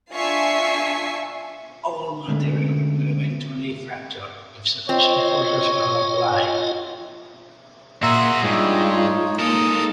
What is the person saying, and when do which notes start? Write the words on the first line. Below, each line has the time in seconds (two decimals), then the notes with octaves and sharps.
All materials will eventually fracture, if sufficient forces are applied.
0.15 D4 F4 E5 G#5 C#6 C7
2.28 D3 G#3 A3 C#4
4.89 C4 F4 C#5 D#5
8.03 A#2 F#4 G#4 E5 A#5 C6
8.43 G2 G#3 D#4 F4 C#5
9.39 A#3 D#4 A4 A#4 D#6